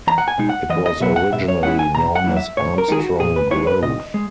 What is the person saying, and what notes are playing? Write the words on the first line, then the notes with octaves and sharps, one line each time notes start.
It was originally known as Armstrong Grove.
E2 A#5
F#5
G#5
B2 G#3 D#4
F#5
E2 D#5
D#5
B2 F#3 B3 E5
F#5
B2 E5
C#5
G#3 C#4 E4 F#5
G#5
B2 A#5
F#5
F#3 A#3 E4
E5
G#2 C#5
A#4
D#3 G#3 B3 D#4 G#4
F#4
A#2 G#4
B4
G#3 B3 E4 C#5
B4
A#2 D#5
G#3